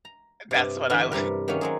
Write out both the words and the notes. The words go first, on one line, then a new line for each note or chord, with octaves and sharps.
That's what I wa
A#5
G2 C3
D3 E3 G4 B4 E5
G2 C3 G3 A#4
D#3 F#3 A3 A#3 C#4
F#3 C4 G#4